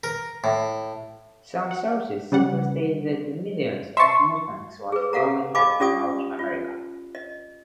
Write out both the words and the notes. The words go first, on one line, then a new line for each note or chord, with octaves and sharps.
Some sources simply state that "millions" of mustangs once roamed western North America.
A#4
A2
F#5
C#3 G3 F#5
E5 A5 C6 C#6
G#4 B4
G4 A4 F5 F#5 A#5
D#5 F5 G#5 B5 D6
C#4 F4 G4 D5 G#5 D#6
F4
D#5